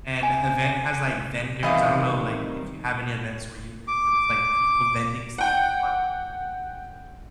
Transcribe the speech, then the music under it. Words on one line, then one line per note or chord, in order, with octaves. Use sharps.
and that event has, like, vendors. I don't know, like, if you have any events where you live where there's, like, people vending stuff on
G#5
D#3 E3 G3 C4 D#5 F5
D6
F#5 G5